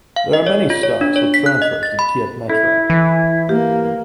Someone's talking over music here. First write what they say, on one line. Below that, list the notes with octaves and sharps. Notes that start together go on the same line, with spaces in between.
There are many stops with transfers to the Kyiv Metro.
F5
D#5
C#5
F4
C#5
D4
C#5
B6
F#6
D#5
A6
B5
E4 A4
E3
A#3 G4